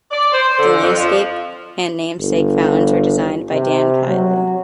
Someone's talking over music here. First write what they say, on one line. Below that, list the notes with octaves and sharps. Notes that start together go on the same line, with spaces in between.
The landscape and namesake fountains were designed by Dan Kiley.
D5
C5
D3
F2
F3
G1
C3
F#3